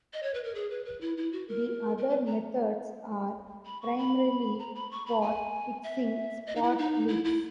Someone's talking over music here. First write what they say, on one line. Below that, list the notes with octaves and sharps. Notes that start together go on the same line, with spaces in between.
The other methods are primarily for fixing spot leaks.
D#5
C#5
B4
A#4
G#4
B4
B4
E4
E4
F#4
A#4
A#4
B4
A#5
B5
C#6
B5
A#5
B5
C#6
B5
G#5
E5
D#5
D#4
E4
D#4
E4
E4